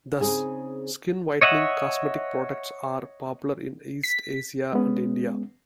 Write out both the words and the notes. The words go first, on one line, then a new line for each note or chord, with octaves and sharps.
Thus, skin whitening cosmetic products are popular in East Asia and India.
C#3 C4 D#4 G#4
C#5 D#5 E5 F#5
B6
G#3 B3 C#4